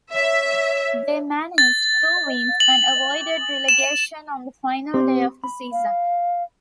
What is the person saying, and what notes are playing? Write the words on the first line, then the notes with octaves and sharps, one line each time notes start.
They managed two wins and avoided relegation on the final day of the season.
C#5 E5
A6
F#7
E7
C4 G4 C5
B5
F5